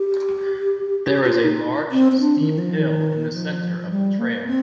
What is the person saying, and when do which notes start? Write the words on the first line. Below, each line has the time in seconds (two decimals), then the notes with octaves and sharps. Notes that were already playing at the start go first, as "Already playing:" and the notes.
There is a large, steep hill in the center of the trail.
Already playing: G4
1.07 G4
1.25 F4
1.44 D#4
1.92 C4
2.12 C4
2.20 D4
2.39 D#3
2.58 F3
2.77 D#3
3.33 F3
3.90 G3
4.19 A#3
4.47 C4